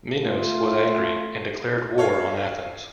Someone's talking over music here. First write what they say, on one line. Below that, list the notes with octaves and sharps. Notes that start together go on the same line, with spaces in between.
Minos was angry and declared war on Athens.
A3 F4
A4 C#5 F5